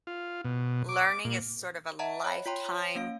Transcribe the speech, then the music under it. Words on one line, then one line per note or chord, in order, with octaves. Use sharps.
learning is sort of a lifetime,
F4
B2
D6
A#2
D#5 E5 F#5 A5 A#5
C#5 B5
F4 C#5 G5 A#5 C6
A#3 C#4 F5 D7